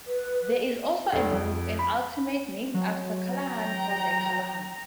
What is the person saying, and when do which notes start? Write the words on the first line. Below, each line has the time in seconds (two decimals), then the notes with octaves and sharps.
There is also a move in Ultimate named after Callahan called a "Callahan".
0.07 B4
1.13 F1
1.32 F2
1.79 B5
2.74 F#3
3.31 G5 A#5